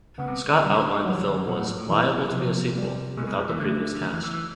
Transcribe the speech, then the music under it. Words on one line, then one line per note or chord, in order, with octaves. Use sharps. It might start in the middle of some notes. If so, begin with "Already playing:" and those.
Scott outlined the film was "liable to be a sequel" without the previous cast.
C#2 C#3 B3
C2 C3
D#3
D3 G3
C#3
D2 D3
F#3
E2 E3
D2 D3
B1 B2 F#3
A2
G#2
A2
B1 B2 E3
C2 C3
B1 B2
C2 C3 F3
G3
B1 B2 G#3
B1 B2
F2 F3
E2 E3
D2 D3 A3
C#2 C#3
E2 E3
E2 E3
E3